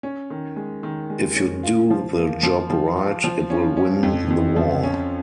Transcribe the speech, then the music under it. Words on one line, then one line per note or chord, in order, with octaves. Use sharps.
If you do the job right, it will win the war.
C#4
D#3
G#3
D#3
G#3
C#4
F4
F3
A#3
F3
F3
F4
F3
C#4
C#4
F2
F2
F3
C#4